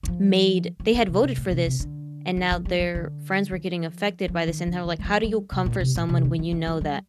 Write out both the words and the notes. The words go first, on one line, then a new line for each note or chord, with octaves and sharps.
Made they had voted for this and now their friends were getting affected by this and how, like, how do you comfort someone when you know that
D#3
F3
F3
D#3
C3
C3
A2
C3
C3
D3
D#3
F3
G3
F3
D3
F3
F3
D#3
D3
D#3
G3
F3
G3
C3
A#2
C3
A#2
C3
D3
F3
D#3
F3
G3